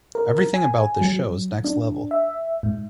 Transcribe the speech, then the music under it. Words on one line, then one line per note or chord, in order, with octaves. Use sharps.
Everything about this show is next level.
A#4
G#5
F#3
D4
E5
G#2